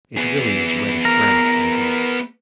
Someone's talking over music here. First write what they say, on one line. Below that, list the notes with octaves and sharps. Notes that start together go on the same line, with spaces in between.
It really is reddish-brown in color.
B3 G#4
A#4